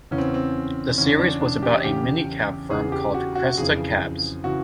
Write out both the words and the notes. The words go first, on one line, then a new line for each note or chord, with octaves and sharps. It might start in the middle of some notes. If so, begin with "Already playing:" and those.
The series was about a mini-cab firm called Cresta Cabs.
E2 C#3 E3 C#4
C4
C4
E2 C#3 E3 C#4
D4
D4
G4
E2 C#3 E3 G4
E2 C#3 E3 G#4
G4
F#4
F#4
F2 C#3 E3 G#4
C#3 E3 F#4